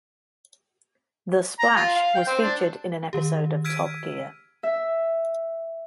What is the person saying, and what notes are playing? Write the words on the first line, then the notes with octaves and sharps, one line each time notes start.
The Splash was featured in an episode of "Top Gear".
A#5
F4
F5
G5
C4
D4
D#3 G4
E6 F6 G#6 B6 D7 D#7
E5